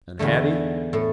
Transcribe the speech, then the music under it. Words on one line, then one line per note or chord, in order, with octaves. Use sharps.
And Hattie?
E2 D3 A3
A2 A3